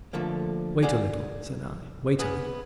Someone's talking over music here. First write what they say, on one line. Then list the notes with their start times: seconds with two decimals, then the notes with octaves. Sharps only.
"Wait a little," said I, "wait a little."
0.13 D3 F3 A3 A#3
0.83 G#4 D5 F5 F#5
2.19 B3 G#4 B4